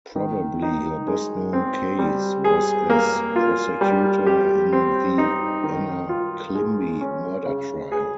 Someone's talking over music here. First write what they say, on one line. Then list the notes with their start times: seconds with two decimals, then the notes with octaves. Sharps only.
Probably her best-known case was as prosecutor in the Anna Climbie murder trial.
0.16 D#3
0.62 D#4
1.07 G#3
1.53 C4
1.99 G3
2.44 G#4
2.90 A#3
3.36 F4
3.81 G3
4.26 G4
4.73 C4
5.18 D#4
5.64 D#3
6.09 F4
6.55 G#3
7.01 C#4
7.46 C#3
7.92 G#4